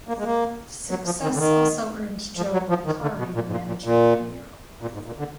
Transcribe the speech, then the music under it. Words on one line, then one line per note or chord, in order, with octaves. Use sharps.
This success also earned Joe McAree the Manager of the year award.
A#3
G#3
A#3
F#3
F3
D#3
D3
D#3
F3
F#3
F3
D#3
D3
B2
A#2
G#2
A#2
A#2
A#2
A#2
G#2
A#2
D3